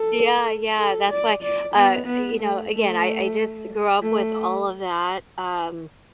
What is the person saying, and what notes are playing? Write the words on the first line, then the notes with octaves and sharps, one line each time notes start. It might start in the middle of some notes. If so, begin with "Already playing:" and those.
Yeah, yeah, that's why uh, you know, again, I I just grew up with all of that, um,
Already playing: A4
A4
D5
D5
B3
B3
A3
A3
A3